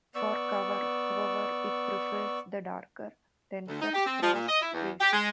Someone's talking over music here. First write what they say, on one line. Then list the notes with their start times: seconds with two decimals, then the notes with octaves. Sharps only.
For cover, however, it prefers the darker, denser spruce trees.
0.15 B3 D5 C#6 E6
3.68 D2
3.82 D#4
3.94 G4
4.06 C4
4.22 F3
4.34 A#2
4.48 D#5
4.61 E4
4.74 E2
5.00 G4
5.13 G#3